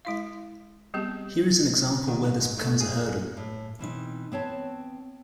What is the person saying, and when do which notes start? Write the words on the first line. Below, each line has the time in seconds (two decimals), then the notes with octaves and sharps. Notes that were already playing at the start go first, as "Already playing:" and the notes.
Here is an example where this becomes a hurdle.
0.05 G#3 E4 F5
0.94 G3 B3 C4 G4 G#4
2.07 D#3
2.24 C2
2.41 G#2
2.58 A3
2.80 G#4
3.37 A2
3.79 B2 E3 C4 D#4
4.32 B3 C4 C#5 A5